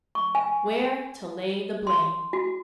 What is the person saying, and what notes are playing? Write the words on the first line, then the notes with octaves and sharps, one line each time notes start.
Where to Lay the Blame.
C#6
G#5
C6
F#4